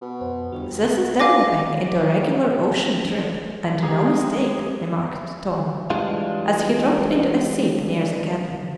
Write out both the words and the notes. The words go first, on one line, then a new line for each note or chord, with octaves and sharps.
"This is developing into a regular ocean trip and no mistake," remarked Tom, as he dropped into a seat near the cabin.
B2
F2 C5
G1 E2 D3 F#4
F5 G#5 D6 A#6
D#3 G#3 C4 G4 G#4 A#4 A#5
E3 G3 G#3 D4 F4